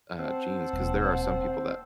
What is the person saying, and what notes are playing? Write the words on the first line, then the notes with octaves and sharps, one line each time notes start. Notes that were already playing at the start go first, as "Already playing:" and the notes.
uh, genes 'cause there are some people that
C4 F#5 A5
D#1 B2